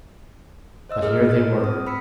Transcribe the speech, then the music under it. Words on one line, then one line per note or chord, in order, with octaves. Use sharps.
But here they were.
C5 D#5 E6
G#4 A#4 F6
A6
C4 D#6
B5 E6 B6 C#7